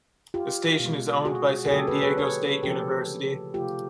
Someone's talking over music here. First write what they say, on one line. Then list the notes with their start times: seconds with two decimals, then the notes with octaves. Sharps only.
The station is owned by San Diego State University.
0.34 F4 G4
0.80 B2 G#3
1.25 F#4 G#4
1.66 G#4
1.71 D3 F#3 A#3 G4 A4
1.87 A4 B4
2.01 B4 C#5
2.18 B4 C#5
2.63 C#3 F3 A3 G4 A4
3.54 C3 F3 A3 F4 G4